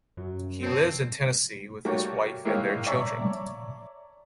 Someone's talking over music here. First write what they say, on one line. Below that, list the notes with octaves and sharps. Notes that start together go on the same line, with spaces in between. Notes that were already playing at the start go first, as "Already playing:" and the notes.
He lives in Tennessee with his wife and their children.
F#2 F#3
C4 C5 C#5 A5
G3 A3 A#3 F#4 G4 C#5
G#3 A#3 E4 G4 C#5 F5
C#5 D5 E5 A5 A#5 C#6